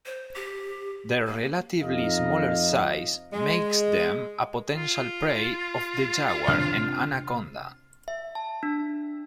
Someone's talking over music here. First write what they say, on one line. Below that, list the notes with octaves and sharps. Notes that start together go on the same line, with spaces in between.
Their relatively smaller size makes them a potential prey of the jaguar and anaconda.
C5
G4
A#3
F2 D#4 D#5 F5
G#3
F4
C3 D4 F6
E5
A5
D4